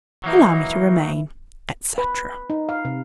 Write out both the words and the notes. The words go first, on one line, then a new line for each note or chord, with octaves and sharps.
Allow me to remain, etc.
E3 F#3 A#3 D#4
B4
D#4
F5
C3